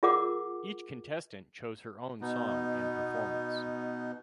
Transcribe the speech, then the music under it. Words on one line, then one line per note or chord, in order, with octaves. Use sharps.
Each contestant chose her own song and performance.
F4 G#4 A#4 F#5 D6
B2 B3 D#4